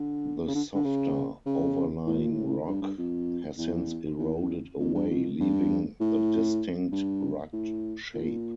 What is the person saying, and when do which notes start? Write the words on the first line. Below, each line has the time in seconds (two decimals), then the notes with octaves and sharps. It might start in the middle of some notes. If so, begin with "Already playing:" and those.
The softer overlying rock has since eroded away leaving the distinct rugged shape.
Already playing: D3
0.48 C#3
0.55 D3
0.75 D3
0.85 C#3
1.46 C#3
2.07 A2
2.19 A#2
2.32 A2
2.67 G2
2.82 G2
2.98 F2
3.58 E2
4.19 E2
4.79 F2
4.95 G2
5.10 F2
5.40 G2
6.01 A2
6.92 G2
7.53 A2
8.14 A#2